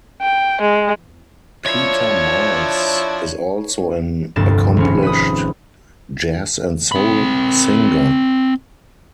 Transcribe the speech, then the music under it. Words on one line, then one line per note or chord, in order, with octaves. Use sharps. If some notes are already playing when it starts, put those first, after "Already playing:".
Peter Miles is also an accomplished jazz and soul singer.
G5
G#3
F3 D4 E4 C#5
F1 D2 G2 A#3 A6 E7
G#1 C#4
B4 D#6
C4 B5